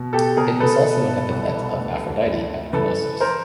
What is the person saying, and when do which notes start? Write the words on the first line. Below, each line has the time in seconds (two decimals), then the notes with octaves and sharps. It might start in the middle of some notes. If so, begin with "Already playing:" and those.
It was also an epithet of Aphrodite at Knossos.
Already playing: B2
0.13 G4 A4
0.37 B2 G#4 A#4
0.60 A4 B4
0.84 B2
1.31 C2
1.79 D2
2.26 D2
2.73 E3 A4 B4
3.20 A#4 C5